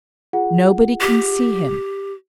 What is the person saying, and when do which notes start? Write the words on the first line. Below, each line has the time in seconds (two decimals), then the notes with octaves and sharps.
Nobody can see him.
0.33 F4 G#4 F#5
1.01 G4